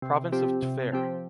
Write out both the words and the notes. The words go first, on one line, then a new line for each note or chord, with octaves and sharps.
Province of Tver’.
C3
F3 C4 G4
C3
F3 C4 G4